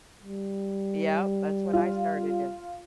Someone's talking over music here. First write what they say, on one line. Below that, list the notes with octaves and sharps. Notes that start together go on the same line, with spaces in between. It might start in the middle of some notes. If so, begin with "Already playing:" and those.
Yup, that's what I started to
G3
F4